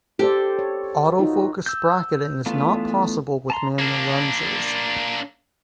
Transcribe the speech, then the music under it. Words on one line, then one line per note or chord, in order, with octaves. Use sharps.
Auto focus bracketing is not possible with manual lenses.
G4 A4 C5 D5
C#5
D#4 F4 F#4
E6 G6
E3 A3 B3 D4 F4
A5 A#5 C6
A#3 D4